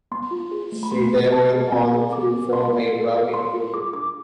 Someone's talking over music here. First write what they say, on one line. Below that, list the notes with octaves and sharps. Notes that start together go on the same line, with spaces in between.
She then went on to form a rapping group.
B3 C6
F4
G#4
A3
B5
A3 C6
C4
C4 A5
G#4
C4 G#5
G#4
A4 D6
C4
C4 C6
F4
A4
B3
B3 C6
F4
G#4 D6
D4 D6